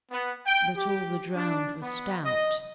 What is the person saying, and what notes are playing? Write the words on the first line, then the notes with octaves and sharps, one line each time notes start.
But all the drowned were stout.
B3
G5
G4
D4
B3
D#5